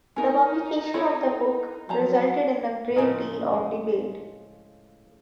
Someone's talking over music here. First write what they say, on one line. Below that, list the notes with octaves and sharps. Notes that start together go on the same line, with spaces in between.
The publication of the book resulted in a great deal of debate.
C#4 D#4 A#4
E4 A4 C#5
F3 F#3 A5 A#5
A2 C#3 F3 A#4 D#5 G#5
G#3